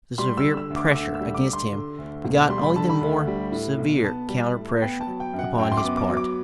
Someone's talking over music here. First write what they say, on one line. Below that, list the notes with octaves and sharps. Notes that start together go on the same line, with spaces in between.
The severe pressure against him begat only the more severe counter pressure upon his part.
G3 C6
E6
D3
E6
D2
D6
D2 E6
E6
G3
D6
D3
C6
D3
D2
E1
G3 C6
B5
D3 A5
B5
D2
G3
A2
B1
B3 A5
G3
A2
B3 G5
A5
F#3
G5
F#2
F#5
F#2 G5
C6
D6
B3
D6
F#3
D6